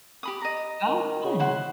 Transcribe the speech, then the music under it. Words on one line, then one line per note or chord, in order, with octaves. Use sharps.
Oh, fun.
G4 B5 D#6
D#5 A#5
D#3
C#3
E4 C5 F#5